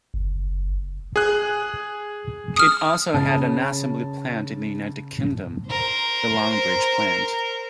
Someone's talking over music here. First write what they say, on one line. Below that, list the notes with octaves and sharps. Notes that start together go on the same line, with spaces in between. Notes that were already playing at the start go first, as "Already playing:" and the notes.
It also had an assembly plant in the United Kingdom, the Longbridge plant.
F#1
G#4 F#6
D#6 F6
C#3 A5
A#4 C5